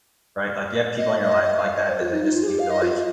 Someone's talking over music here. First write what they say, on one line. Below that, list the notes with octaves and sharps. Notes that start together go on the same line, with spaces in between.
right? Like, do you have people in your life like that, that they just you feel like
D#5
D#5
D#5
F5
D#5
C5
F4
D#4
D#4
F4
G#4
G4
F5
D#5
F4